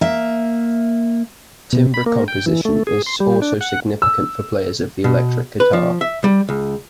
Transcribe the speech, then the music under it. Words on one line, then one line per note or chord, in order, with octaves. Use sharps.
Timbre composition is also significant for players of the electric guitar.
A#3 E5
B2
B5
A#3
G5
E3
A3
G#4
C6
G3
D4
F#5
E6
B2
B4
F3
E5
G3
C#2